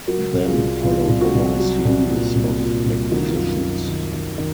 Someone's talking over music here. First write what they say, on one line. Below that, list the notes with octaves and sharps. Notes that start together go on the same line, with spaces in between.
Then followed a long series of acquisitions.
F#3 F#4 A#4
C2
F4 G#4
C2
C2 F4
C2
F#4
C2
F#3
C2
A#2
C2
A#2
C2
D#3 F#4
F4
F#2 F4
F#2
D#3
D#3
D#3